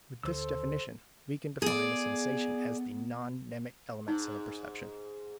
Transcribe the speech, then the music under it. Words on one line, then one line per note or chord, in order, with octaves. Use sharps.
With this definition, we can define a sensation as the non-mnemic elements in a perception.
D2 A4 C5 E6
B3 G#4 D5
G#2 D#4